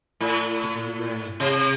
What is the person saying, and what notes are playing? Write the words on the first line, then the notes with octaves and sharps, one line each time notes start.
But we ran.
A2
C3